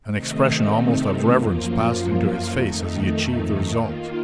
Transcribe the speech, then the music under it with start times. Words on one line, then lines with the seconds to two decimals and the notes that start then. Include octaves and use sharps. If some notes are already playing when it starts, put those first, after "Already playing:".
An expression almost of reverence passed into his face as he achieved the result.
0.12 C3 D#3 A3 C4 D#4
1.32 F#2 F3 A#3 F4
2.51 F2 D#3 A3 D#4
3.70 D#3 A#3 F4